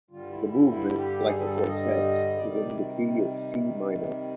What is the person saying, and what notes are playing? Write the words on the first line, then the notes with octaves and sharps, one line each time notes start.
The movement, like the quartet, is in the key of C minor.
G2 D3 G3 F4
E4
E4
E4
G4
G#4
A4
G#4
A4
D#5
C3 D#3 G3 D5